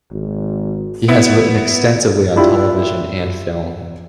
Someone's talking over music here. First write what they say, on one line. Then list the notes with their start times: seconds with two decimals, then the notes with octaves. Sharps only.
He has written extensively on television and film.
0.12 G#1
1.08 B3 E4
2.36 D4 E4 F4 G4